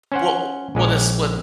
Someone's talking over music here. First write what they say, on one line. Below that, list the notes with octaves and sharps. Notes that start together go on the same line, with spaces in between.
wha what is what
C#4 C5 F#5
A#1 G#3 C#4 D5